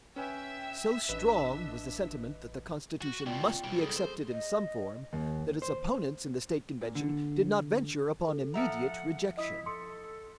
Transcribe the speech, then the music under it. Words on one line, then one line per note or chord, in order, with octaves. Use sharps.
So strong was the sentiment that the Constitution must be accepted in some form, that its opponents in the state convention did not venture upon immediate rejection.
C#4 B4 E5 G5 G#5 E6
A1 D4 B4 D#5
F#4
C#2 B2 F4 D5 G5
B1 G3 D7
G#4 A4
C5
D#5
D#2
C5
A#2
D3
A4
F3 E5 F#5 A#5
E4 D#5 D#6
A4 C6 D#6 C#7